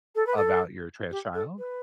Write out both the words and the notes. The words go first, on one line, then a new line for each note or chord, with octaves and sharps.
about your trans child?
A4
B4
A4
G4
A4
B4